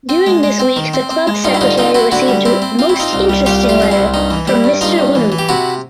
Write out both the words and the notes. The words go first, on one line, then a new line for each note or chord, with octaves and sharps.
During this week the club secretary received most interesting letter from Mr Wm.
C4
G#3
G#3
C4
D#3
C4
C4
G#3
G2 D#4 F4
E4
D3 D#4 F4
C4 D#4 F4
C4 E4 F#4
D3 E4 F#4
G3
C4 E4
C4
C4 F4
E4
C4 D#4 F4
C2
G3
C2 F4 G4
G3
F4 G4
C4 F4
E4
C2
G2 D#4
E3
G3 E4
G2
G2 D#4 F4
G2
E3
E3
G4
C3 E4 F#4